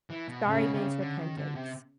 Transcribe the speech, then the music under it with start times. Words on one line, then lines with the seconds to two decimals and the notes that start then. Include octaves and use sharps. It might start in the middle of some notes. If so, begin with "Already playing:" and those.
sorry means repentance.
0.10 E3
0.28 B2
0.46 A2 C#3
0.61 B2
0.73 C3
0.87 C#3
1.00 D3
1.19 D#3
1.37 D3
1.55 C3